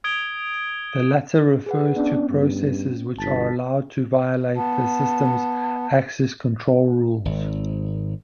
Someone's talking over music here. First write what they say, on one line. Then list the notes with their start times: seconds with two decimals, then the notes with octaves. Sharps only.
The latter refers to processes which are allowed to violate the system's access-control rules.
0.04 D#6 G#6 D7 G7
1.66 G#4 B4 F#5
1.96 B3 C#4 D4
2.30 G2
3.19 G1 A5 A6 B6
4.56 B3 A5
7.25 G#1